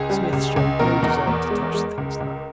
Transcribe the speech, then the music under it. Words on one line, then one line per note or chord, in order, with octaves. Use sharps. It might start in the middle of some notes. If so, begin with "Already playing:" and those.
Smith showed no desire to touch the things now.
Already playing: C#2 G#4
G3
C#2
C#2
B2 A#4
E2
E2
G#3
G#3
C#2
C#2